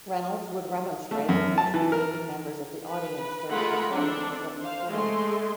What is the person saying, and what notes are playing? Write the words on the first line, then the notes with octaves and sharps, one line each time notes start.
Reynolds would remonstrate with misbehaving members of the audience during performances of the play.
A3
F#2
A5
E3
A#4
B4
G#3 A3 F4 A#4 F#5 B5
C4 D4 A4
C5 F5
G#3 A3 C6